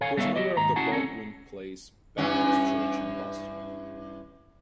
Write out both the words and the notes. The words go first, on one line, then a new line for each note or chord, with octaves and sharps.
He was a member of the Baldwin Place Baptist Church in Boston.
A4 C#5 F5 G#5
G3 B3 A4 C#5 E5 F5
F#4 G4 D#5
D#2 G#2 A#5
C#4 E4 F#4 G#4 F#5 A5
C4 C#4 A4
G2 E3 C#4